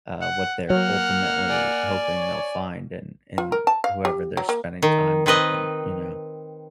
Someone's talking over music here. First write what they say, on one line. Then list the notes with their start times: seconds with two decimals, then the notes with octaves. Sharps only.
uh, what they're ultimately hoping they'll find, and and whoever they're spending time with and, you know?
0.22 F#5
0.70 F#3 A#3 F#5 F6
1.49 D5 G#5
2.17 C#5
3.38 F4
3.52 A#4
3.67 A5
3.84 F5
4.05 G4
4.37 F#3
4.49 A#3
4.82 D#3
5.26 D#3 C4 B4 D#5